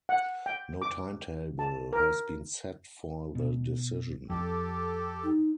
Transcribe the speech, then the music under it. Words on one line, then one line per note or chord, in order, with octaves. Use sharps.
No timetable has been set for the decision.
F#5
G5
D6
A5
A#4
B2
F2 G4 A4
D#4